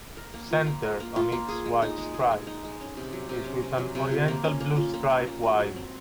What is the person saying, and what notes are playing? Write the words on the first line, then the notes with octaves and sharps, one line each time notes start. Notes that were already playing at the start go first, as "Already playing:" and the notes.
Centered on each white stripe is with an oriental blue stripe wide.
A#4
A#3
F4
A#3
A#4
A#3
F4
A#3
G#4
G#3
D#4
G#3
G#4
G#3
D#4
G#3
C#4
C3
F#3
C3
C#4
C3
F#3
C3
F4
A#3
C#4
A#3
F4
A#3
C#4
A#3
F#4
F#3
C4